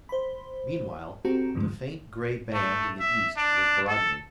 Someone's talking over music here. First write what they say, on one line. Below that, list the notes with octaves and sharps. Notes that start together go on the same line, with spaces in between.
Meanwhile, the faint gray band in the east was broadening.
C5 B5
C4 F#4 G4 A4 A#5
E2 G2 D3 F3 G#3 A3
A3
E5
D4
A4